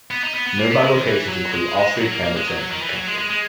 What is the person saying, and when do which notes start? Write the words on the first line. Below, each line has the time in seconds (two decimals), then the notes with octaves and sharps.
Nearby locations include Ouse, Hamilton and Kempton.
0.11 B3
0.23 D#4
0.35 B3
0.47 B3
0.59 A#3
0.71 B3
0.83 G#3
0.94 D#3
1.06 E3
1.29 F#3
1.52 G#3
1.77 G#3
1.95 E3
2.00 F#3
2.11 A#3
2.24 A#3
2.36 G#3
2.48 F#3
2.60 F#3
2.71 D#3
2.82 E3
2.95 F#3
3.07 G#3
3.18 G#3
3.30 G#3